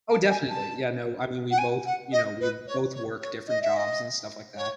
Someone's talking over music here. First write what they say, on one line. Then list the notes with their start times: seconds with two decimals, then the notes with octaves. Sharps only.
Oh, definitely. Yeah. No. I mean, we both, you know, we both work different jobs and stuff like that,
0.09 A5
0.29 G#5
0.49 A5
1.50 F#5
1.57 G#5
1.85 F#5
2.12 D#5
2.40 B4
2.66 C#5
2.93 C#5
3.20 C#5
3.48 D#5
3.61 E5
3.76 D#5
4.56 C#5